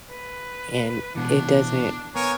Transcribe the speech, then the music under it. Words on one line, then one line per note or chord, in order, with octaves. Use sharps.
And, it doesn't
B4
B2 E3 D4
B3 A#4 C#5 G#5